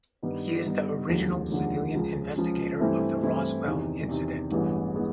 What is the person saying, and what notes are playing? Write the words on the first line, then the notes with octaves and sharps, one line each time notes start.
He is the original civilian investigator of the Roswell incident.
G2 D#3 G3 B3 D#4
G2 D#3 G3 B3 D#4
F1 D#2 D3 F3 G#3
F1 D#2 D3 F3 G#3
C#2 C#3 F3
C#2 C#3 F3
G2 E3 A3 C4 E4
G2 E3 A3 C4 E4
E2 C3 D#3
E2 C3 D#3
A1 G2 E3 G#3 B3
E3 G#3 B3